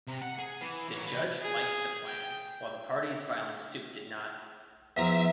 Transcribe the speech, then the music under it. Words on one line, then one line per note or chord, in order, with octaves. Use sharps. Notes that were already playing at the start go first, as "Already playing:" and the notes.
The judge liked the plan, while the parties filing suit did not.
C3
F#5
G#4
E3
E3 C#5
C3 B4
G#4
G5
E2 F3 E5 A#5